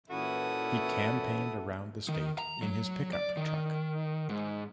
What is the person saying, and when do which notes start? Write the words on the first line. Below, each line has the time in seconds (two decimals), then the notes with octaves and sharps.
He campaigned around the state in his pickup truck.
0.10 A#2 E3 C#4 E4 F#4 A4 D#6
2.09 D#3
2.38 A#5
2.62 F#3
3.13 D5
3.37 D#3
4.29 G#2